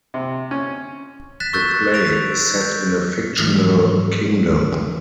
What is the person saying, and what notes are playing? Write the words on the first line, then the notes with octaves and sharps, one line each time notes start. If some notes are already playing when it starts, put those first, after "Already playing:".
The play is set in a fictional kingdom.
C3
C#4
F#6 A6 B6 E7
C#6 E6 F#6 G6 A6
E6 A#6 D7 F7
G6
G#2 E3 F3 A3